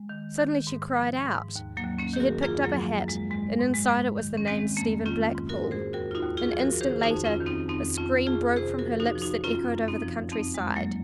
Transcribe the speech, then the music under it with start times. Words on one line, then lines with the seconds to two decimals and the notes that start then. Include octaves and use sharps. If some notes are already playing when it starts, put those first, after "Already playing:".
Suddenly she cried out--she had picked up a hat and inside it was the name "Stephen Blackpool." An instant later a scream broke from her lips that echoed over the country-side.
Already playing: G#3
0.09 D#3
0.37 D#3
0.67 G#2
0.97 F3
1.26 G#2
1.56 D#2
1.77 F#3 A#3
1.84 D#2
1.98 A#3 C#4
2.14 D#3 G#4
2.20 F#4 A#4
2.43 F#2 F4 G#4
2.64 F#3 A#3
2.71 F3
3.01 F#2
3.08 G#3
3.31 G#2 G#3
3.59 G#2
3.74 G#3
3.88 G#2
4.18 D#3
4.37 C#4
4.47 D#3 G#3 C4
4.76 F2 A#3 C#4
5.05 D#3 C#4 F4
5.34 G#2
5.49 F#4 A#4
5.64 G#2
5.71 G#4 C5
5.93 D#2 F#4 A#4
6.11 F4
6.15 D#4 F#4
6.23 D#2
6.37 F4 G#4
6.52 F3
6.59 F#4 A#4
6.81 D#3 G#4 C5
7.03 D#4 F#4
7.10 F2
7.25 C#4 F4
7.40 D#3
7.46 C4 D#4
7.68 F2 C4 D#4
7.97 F2 C#4 F4
8.27 F2 F4 G#4
8.56 C3 G#4 C5
8.79 F#4 A#4
8.86 F3
9.00 D#4 F#4
9.16 F3
9.22 D#4 F#4
9.44 F#2 C#4 F4
9.73 F#2
9.88 C4 D#4
10.02 F3
10.32 F2 C4 D#4
10.54 G#3
10.61 F2
10.75 F#3 A#3